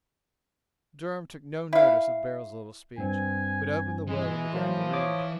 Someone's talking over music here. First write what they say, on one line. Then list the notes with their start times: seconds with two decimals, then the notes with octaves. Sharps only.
Durham took no notice of Beryl's little speech, but opened the will and began to read.
1.73 E4 F5
2.98 G2 C4 G#5
4.08 E3 G#3
4.54 F3 F#3 A#3
4.93 C#5 D6 D#6